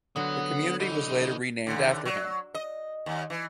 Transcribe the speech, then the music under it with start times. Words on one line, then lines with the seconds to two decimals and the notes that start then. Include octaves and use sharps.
The community was later renamed after him.
0.16 D3 F#3 B3 C6
0.80 E3 D#4
1.67 D#2 D3
2.05 F#3
2.55 D#5
3.06 D#2
3.30 E3